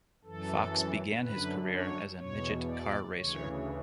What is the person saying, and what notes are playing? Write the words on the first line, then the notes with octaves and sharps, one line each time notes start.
Fox began his career as a midget car racer.
F#2 E3 A4
F#2 D3 B4
C#5
E2 B2 C#5
D5
D2 C#3 E3 C#5